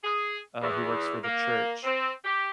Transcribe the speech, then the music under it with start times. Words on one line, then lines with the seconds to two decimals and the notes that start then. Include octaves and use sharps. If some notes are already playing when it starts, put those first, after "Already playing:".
uh, who works for the church,
0.03 G#4
0.62 E2
1.24 A#3
1.84 C4
2.25 G4